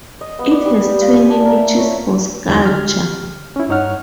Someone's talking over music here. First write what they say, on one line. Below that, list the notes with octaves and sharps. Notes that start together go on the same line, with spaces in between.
It has twenty niches for sculpture.
D#5
B3
D5
G3
G4
F4
G#5
D4
A#4
E5
C#5
E2 D3 F#3 G#3 D#4
D3 G4 F6
C#4 E4
G2 D#4 C#5 F#5 F6